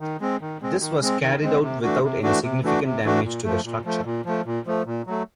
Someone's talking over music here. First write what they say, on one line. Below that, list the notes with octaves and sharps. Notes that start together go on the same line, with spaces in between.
This was carried out without any significant damage to the structure.
D#3
G#3 C4
D#3
G#3 C4
D#3
G#3 C4
D#3
G#3 C4
C3
E3 A3 D4 F#4
C3
E3 A3 D4 F#4
C3
E3 A3 D4 F#4
C3
E3 A3 D4 F#4
A#2
F3 A3
A#2
F3 A3
A#2
F3 A3
A#2
F3 A3
A#2
F#3 A3